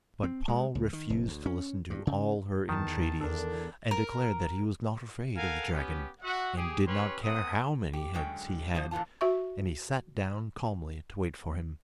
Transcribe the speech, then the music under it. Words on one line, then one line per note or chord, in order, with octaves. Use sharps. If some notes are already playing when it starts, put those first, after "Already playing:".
But Paul refused to listen to all her entreaties, and declared that he was not afraid of the dragon, and did not care how many heads he had; and he sat down calmly to wait for him.
C4
G#3
C#2
D#3
F1
D2
C#4
G2
C#3
E2 D#3 A5
E2 D4 A4 A#4
A#4
A4 A#4 F5 F#5 G#5
B3 C#4 G4
F#4 E5 F#5
G4 G#4
C#4 G4 B4 C#5 C6
A#3 C4 F#5 D#6
G4
F#2 D3 G#3 C#4 G5
E2 F3 C5
A#2 D3 E3 F4 A5
F#4 E5 C#6